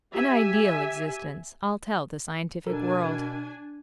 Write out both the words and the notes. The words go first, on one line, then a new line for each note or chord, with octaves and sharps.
An ideal existence, I'll tell the scientific world.
G4 E5 G#5
B2 D4 A4 A#4 G#5